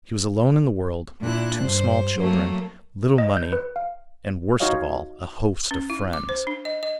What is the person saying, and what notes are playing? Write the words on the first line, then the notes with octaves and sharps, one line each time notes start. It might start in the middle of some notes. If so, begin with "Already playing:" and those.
She was alone in the world, with two small children, little money, and, worst of all, a host of friends.
A#2 D4 E4 F#6
G2 C5
F#3 A3 A#3
D#5
G6
B4
F5
D#4 F4 F#4 C#5 D#5 F5
C#4
E4
D6
C5
D4
D#5
D#5